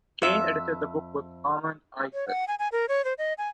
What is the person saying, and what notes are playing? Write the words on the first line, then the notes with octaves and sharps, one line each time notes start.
Kane edited the book with Armand Eisen.
F2 E5
C#5
F#5
G#5
G#5
A#4
C#5
C5
D#5
G#5